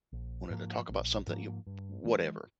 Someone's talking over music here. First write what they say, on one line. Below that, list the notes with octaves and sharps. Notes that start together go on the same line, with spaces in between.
wanted to talk about something, you whatever.
A#1
G#2 F3 A#3
A#1
G#2 F3 A#3
G2
E3 G#3